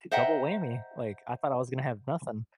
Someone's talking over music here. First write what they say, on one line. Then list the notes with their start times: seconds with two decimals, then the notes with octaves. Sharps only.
double whammy," like, I thought I was gonna have nothing.
0.11 C5 D#5 E5 F#5 G5 A#5